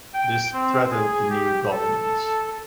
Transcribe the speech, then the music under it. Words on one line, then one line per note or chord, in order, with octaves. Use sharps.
This threatened the new governments.
G5
C4
G#4
G4
A4